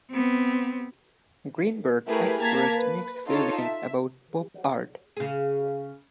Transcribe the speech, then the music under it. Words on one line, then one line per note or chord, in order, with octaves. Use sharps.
Greenberg expressed mixed feelings about pop art.
B3 C4
A3 E4 G4 G#4 A#4 B4
A#3 A5 A#5 G#6 B6
B4
D#4 F4 A4 C#5 A5
E5
C#3 G#4